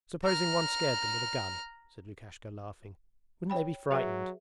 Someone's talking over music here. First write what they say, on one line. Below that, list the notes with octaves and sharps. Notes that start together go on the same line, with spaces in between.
'Supposing one scared them with a gun?' said Lukashka, laughing, 'Wouldn't they be frightened?'
A#5 F6
C#5 G5 B5
F#3 G#4 B4 E5